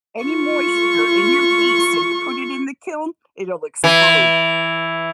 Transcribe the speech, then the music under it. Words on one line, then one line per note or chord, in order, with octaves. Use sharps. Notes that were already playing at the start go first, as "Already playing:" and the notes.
any moisture in your piece and you put it in the kiln, it'll explode.
F4 C#6
E3